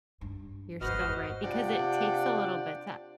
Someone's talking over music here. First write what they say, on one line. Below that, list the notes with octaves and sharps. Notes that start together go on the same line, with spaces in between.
You're so right, because it takes a little bit to
G2
G#1 F2 F#4 B4 C5 D#5 F6
C3 D4 F4 D5 F#5 G5